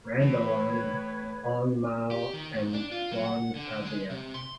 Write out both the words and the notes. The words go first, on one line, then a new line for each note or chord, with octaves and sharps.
Randulang, Long Mio and Long Pasia.
A2 E3 B4 C#5
G4
D#3
G#2
D4
F4
F#3
F#5
D3
G#3
C3
C6